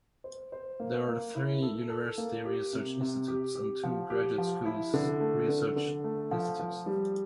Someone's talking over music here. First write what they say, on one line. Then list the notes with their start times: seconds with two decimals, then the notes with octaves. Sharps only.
There are three university research institutes and two graduate school research institutes.
0.24 C5
0.52 C5
0.80 A#3
1.08 A#3
1.35 E4
1.62 A4
1.90 A4
2.18 A#3
2.45 G4
2.73 C3
3.01 C3
3.28 G4
3.55 G4
3.83 F3
4.10 G4
4.38 F3
4.66 E4
4.94 D3
5.21 A3
5.48 D3
5.76 D3
6.04 A3
6.31 F3
6.59 F3
6.86 G3